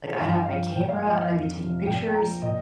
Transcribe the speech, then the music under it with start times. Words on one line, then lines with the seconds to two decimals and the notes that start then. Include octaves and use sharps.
Like, I'd have my camera, and I'd be taking pictures,
0.20 G2 F5
0.32 G5
0.45 F3 F5
0.75 A#2 G5
0.89 F5
1.02 F3 D#5
1.15 F5
1.31 F2
1.59 C3 F3
1.87 A#2 G5
2.08 G5
2.14 F3 A#5
2.42 A#2 D#5